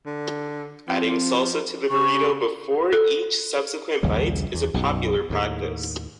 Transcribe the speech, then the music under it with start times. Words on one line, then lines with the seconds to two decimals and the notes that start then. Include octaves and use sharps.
Adding salsa to the burrito before each subsequent bite is a popular practice.
0.06 D3
0.88 F3 C4
1.90 C#3 G4 C#6
2.93 A4
4.03 A#1 D#2 C#3 G3
4.54 E2
4.74 B1 F#2 B2
5.30 D#2 A2